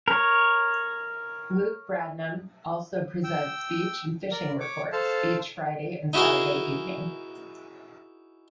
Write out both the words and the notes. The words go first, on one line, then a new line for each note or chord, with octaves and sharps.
Luke Bradnam also presents Beach and Fishing reports each Friday and Saturday evening.
A#4 C#5
G5 E6
A#4 D5
C#5 D6
A4 C5 F5 A5
D#4 E4 F#4 G#4 A#4